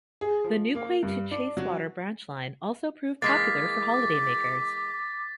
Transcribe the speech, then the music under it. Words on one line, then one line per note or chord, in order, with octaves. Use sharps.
The Newquay to Chacewater branch line also proved popular for holidaymakers.
G#4
F3
A#3
G2
D4
F#3
E3 G#3 A#3 D6 A6 B6